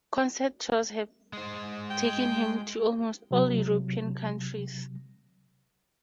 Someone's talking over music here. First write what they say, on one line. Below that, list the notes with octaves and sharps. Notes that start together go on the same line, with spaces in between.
Concert tours have taken him to almost all European countries.
G#3 C5
G5
C3 F#3